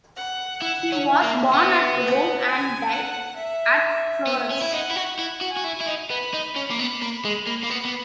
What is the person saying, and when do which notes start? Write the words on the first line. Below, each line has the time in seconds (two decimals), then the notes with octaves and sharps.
He was born at Rome and died at Florence.
0.16 F#5
0.62 E4 F#5
0.92 C#4
1.07 E5
1.23 A#3
1.54 B3 E5
1.99 F#5
2.45 G#5
2.90 F#5
3.36 E5
4.27 B3 E5
4.50 C#4
4.62 E4
4.73 D#4 F#5
4.91 E4
4.96 F#4
5.19 E4
5.41 F#4
5.49 G#5
5.57 F#4
5.64 E4
5.81 E4
5.87 D#4
6.10 B3 B5
6.34 D#4
6.56 C#4
6.70 A#3
6.79 B3
7.02 A#3
7.25 G#3
7.47 A#3
7.64 A#3
7.71 B3
7.85 B3